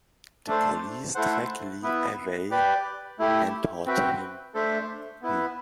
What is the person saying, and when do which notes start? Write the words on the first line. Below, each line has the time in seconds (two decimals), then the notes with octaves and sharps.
The police drag Lee away and torture him.
0.47 A3 D4 A4 C5
1.15 A3 E4 A4 C5 F#5
1.82 B3 E4 B4
2.50 G4 B4 D5 G5
3.19 A3 E4 G4
3.86 C4 F#4 B4 E5 G5
4.54 A3 D4 A4 C5 E5
5.22 B3 E4 B4